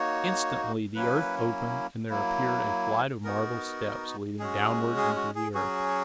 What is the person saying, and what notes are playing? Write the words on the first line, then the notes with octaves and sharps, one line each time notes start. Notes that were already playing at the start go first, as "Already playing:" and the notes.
Instantly the earth opened, and there appeared a flight of marble steps leading downward into the earth.
Already playing: A#3 D#4 F#4 C#5
F#3 A#3 C#4 E4 B4
F#3 A#3 E4
B3 D#4 F#4 A#4
G#3 C#4 F#4 G#4
G#4
F#4
G#4
F#3 C#4 F#4 G#4